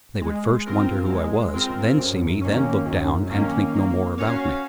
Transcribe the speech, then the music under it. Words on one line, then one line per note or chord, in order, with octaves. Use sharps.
They would first wonder who I was, then see me, then look down, and think no more about me.
G#3
C4 F4 A#4
G#3
C4 F4 A#4
F#2
D#3 A#3 C#4
F#2
D#3 A#3 C#4
A#3
C#4 F#4 C#5 F5